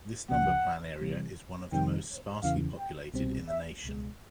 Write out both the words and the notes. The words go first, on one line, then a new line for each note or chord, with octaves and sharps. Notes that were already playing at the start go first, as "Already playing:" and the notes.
This number plan area is one of the most sparsely populated in the nation.
C#2 C#3 F3 F#5
C3 E3 G3
F2 C3 D#3 G3 C4 G5
E2 C#3 E3 F5
G5
C2 B2 G3 C4
E5
C#2 B2 G#3